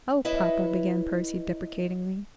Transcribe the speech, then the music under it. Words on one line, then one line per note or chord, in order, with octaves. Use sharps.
"Oh, papa!" began Percy, deprecatingly.
E4 B4 C#5 D#5 E5